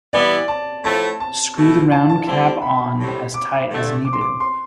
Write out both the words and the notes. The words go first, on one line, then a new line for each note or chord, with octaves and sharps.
Screw the round cap on as tight as needed.
E3 G3 B3 E4 D5
A5
A2 F3 A3 A5
A5
B2 A3 E4
A5
A5
D3 G3 C4 E4 A5
B5
A2 G3 C4
D6
G2 D3 A3
D6
C6
D6
C6